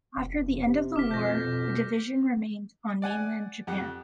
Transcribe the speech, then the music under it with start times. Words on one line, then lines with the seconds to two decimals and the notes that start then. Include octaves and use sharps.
After the end of the war, the division remained on mainland Japan.
0.17 F1
0.66 C3
0.96 D#1 D6 F6 B6
1.11 F2 B2 G6 A#6
1.44 B2
3.02 D5 F#5 G#5
3.67 F2 G4 F#5